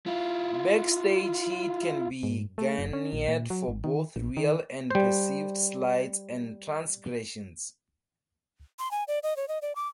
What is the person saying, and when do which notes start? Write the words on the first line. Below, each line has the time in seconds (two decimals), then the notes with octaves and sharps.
Backstage heat can be garnered for both real and perceived slights and transgressions.
0.06 E4 F4
2.23 G#2
2.58 A3
2.78 F#1
2.93 C#4
3.13 A#1
3.28 A#2
3.50 F#3
3.68 G#1
3.84 D#3
4.16 A#1
4.37 D#3
4.90 G3 C5
8.79 C6
8.91 G#5
9.08 D5
9.23 D#5
9.37 C#5
9.48 D#5
9.62 D5
9.75 D6